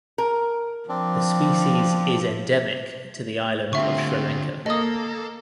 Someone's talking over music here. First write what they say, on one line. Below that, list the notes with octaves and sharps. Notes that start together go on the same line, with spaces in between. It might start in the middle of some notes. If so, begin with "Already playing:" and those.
The species is endemic to the island of Sri Lanka.
A#4
F3 C4 D4
D3 A3 C4 F4 G4 E5 C#6
A#3 A4 D#5 D#6